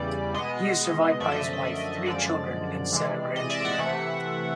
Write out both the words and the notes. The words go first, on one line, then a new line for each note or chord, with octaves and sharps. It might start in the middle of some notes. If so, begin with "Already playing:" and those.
He is survived by his wife, three children, and seven grandchildren.
Already playing: E2 C#3 E3 G3 D5
B2 G#3 B3 D#5
F#2 D3 F3 A3 D5 E5
D#5
D#5
D5
D#5
F#2 D3 F3 G#3 D5
C3 E3 G#3
D#5
D5 E5
E5 F#5
C3 E3 A3